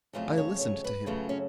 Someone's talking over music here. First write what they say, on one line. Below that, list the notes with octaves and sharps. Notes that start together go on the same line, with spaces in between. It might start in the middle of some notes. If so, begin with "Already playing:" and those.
I listened to him.
F2 C#3 F#3 A3 F4
C#5
C#5
B4
F#2 C#3 F#3 A3 F4
C#4